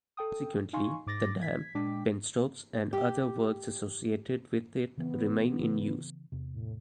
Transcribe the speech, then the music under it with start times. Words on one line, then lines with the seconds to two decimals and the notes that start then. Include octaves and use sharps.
Consequently, the dam, penstocks and other works associated with it remain in use.
0.17 A4 G5 D#6
0.73 D#4 F5 G#5 C6 C#6
1.07 G#2 D6 A6 A#6
1.41 G#6 B6
1.75 A#2 G#3 D4 G5 D6 B6
2.93 G4
4.98 C#3 E3 B3 C4
5.59 C#3 E3
6.32 E2 C3
6.53 A2